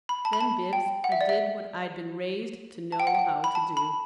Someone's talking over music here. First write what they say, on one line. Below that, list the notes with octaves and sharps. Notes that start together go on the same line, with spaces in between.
Then, Bibbs, I did what I'd been raised to know how to do.
B5
A5
B5
A5
G5
F#5
E5
D5
E5
A5
G5
F#5
G5
B5
A5
B5